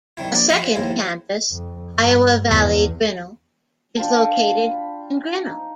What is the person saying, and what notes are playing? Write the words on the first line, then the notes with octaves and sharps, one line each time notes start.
A second campus, Iowa Valley Grinnell, is located in Grinnell.
C2 D#3 E4
A#1 D5
F5 F#5 B5
F3
D#2 G#2 E4
F2
G2
E2
D4 F4 G5 A5
B5
D#4